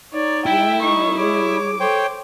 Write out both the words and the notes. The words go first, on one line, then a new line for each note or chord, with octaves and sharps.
Yeah, yeah, yeah.
D#4 C#5 D5
E4 E5 G5
D#4 D#5 C#6
G#4 C#5 D6
A4 C5 C#5 G5